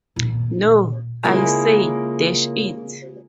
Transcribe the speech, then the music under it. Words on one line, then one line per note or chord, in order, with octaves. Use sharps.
No, I say, dash it!
A#2 D#3
C#3 G#3 A#3 E4 F4 G#4